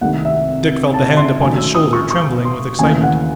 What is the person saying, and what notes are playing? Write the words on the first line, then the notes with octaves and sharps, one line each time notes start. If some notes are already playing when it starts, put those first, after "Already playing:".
Dick felt the hand upon his shoulder trembling with excitement.
C2 C3 D#3 A3 F#5
E5
A5
C6
F#2 D#3 A3 G#5
E6
D#6
C#6
C#6
C6
D#2 C#3 E3 A3 G#5
F#5